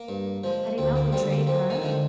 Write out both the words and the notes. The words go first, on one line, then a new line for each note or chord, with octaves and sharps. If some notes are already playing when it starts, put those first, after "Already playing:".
Had he not betrayed her?
Already playing: A#3
G2
F3 G#3
D2 C4
A#3
D3 G3 C4
A#3
F2 C4
D#3 D#4
D3 F3 G#3